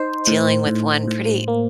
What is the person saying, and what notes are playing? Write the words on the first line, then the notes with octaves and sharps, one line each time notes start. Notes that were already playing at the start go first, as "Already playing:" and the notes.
dealing with one pretty
Already playing: D#4 C5
A2
A2
A2
A#3